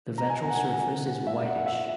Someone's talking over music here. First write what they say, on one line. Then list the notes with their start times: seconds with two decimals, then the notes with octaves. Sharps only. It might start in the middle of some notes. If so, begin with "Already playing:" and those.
The ventral surface is whitish.
0.18 A#5
0.30 G#5
0.42 A#5
0.50 F#5
0.55 G#5
1.07 F#5
1.27 E5
1.46 F#5
1.66 E5